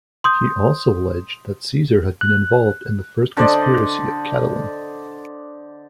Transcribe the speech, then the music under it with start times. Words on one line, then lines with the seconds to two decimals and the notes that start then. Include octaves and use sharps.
He also alleged that Caesar had been involved in the first conspiracy of Catiline.
0.24 C6 D#6 G6
2.21 F#6
3.37 D3 C5 D5 D#5